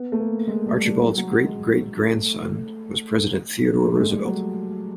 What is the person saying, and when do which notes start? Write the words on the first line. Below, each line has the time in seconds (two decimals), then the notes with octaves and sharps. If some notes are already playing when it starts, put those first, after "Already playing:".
Archibald's great-great-grandson was President Theodore Roosevelt.
Already playing: B3
0.12 A3
0.20 A#3
0.47 G#3
0.66 G3
0.85 G3
1.03 F#3
1.18 F#3
1.31 F#3
1.46 G#3
2.15 A3
3.83 A3
3.97 G#3
4.10 G3
4.25 F#3